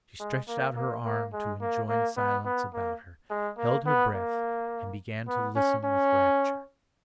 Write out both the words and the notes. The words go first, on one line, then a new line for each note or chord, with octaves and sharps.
She stretched out her arm to enjoin silence about her, held her breath, and began to listen with rapture.
G#3
A#3
A#3
A#3
G#3
A#3
A#3
B3
B3
A#3
G#3
A#3
B3
A#3
B3
C#4
C#4